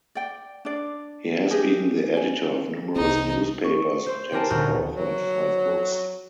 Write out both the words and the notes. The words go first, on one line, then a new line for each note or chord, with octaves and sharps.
He has been the editor of numerous newspapers and has authored five books.
D5 G5
D4 D5
D4 G4 G#4 D#5
G#5
C2 C4 D#4
C#6
C5 C6
C4 F4 G4 A#4 G#5 A5
D#1 D2 F#4 F6 G6
F#3